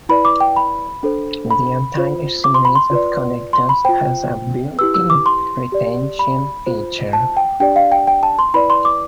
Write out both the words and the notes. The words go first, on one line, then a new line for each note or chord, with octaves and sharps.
The entire series of connectors has a built-in retention feature.
E4 B4 D5 B5
D6
G5
B5
D4 A4 C5
B5
F4 C5
D6
C6
B5
C6
F4 B4 D5
C6
B5
F4 C5 G5
E4 G4 B4 E6
E6
D6
C6
G4 D5
B5
F4 C5
A5
G5
D4 G4 D5 G5
F5
G5
G5
A5
C6
E4 B4 D5 B5
C6
D6